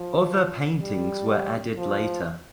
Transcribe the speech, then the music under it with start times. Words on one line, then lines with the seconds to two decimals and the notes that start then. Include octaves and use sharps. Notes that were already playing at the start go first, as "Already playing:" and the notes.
Other paintings were added later.
Already playing: F3
0.80 G3
1.78 F3